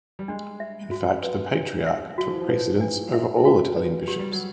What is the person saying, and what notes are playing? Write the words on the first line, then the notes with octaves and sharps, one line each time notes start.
In fact, the patriarch took precedence over all Italian bishops.
G3
G#3 D4
E5
F#4
B4
D4
E5
F#3 F#4
F3
E3
F3
B4
D4
E5
F#4
B4
F#3 G4
G3
F#3